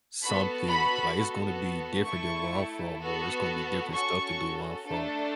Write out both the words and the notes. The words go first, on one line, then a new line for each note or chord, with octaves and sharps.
something like, it's gonna be different than where I'm from or it's gonna be different stuff to do where I'm from.
B3 F#4 A4 B5
B5
B3 F#4 A4
A3 E4 A4 C#6
B3 F#4 A4
C#4 F#4 A4 C#6
A3 D4 A4